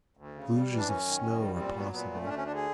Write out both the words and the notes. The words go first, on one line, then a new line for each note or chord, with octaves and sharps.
Deluges of snow are possible.
D2
C#3
G3
E3
D4
F#2 C#4
D#3
F#2
G3
A#2 C4
F#3 B3
A#2 B3
A3
C#4
D2 D4
C#4
D3 D4
G#4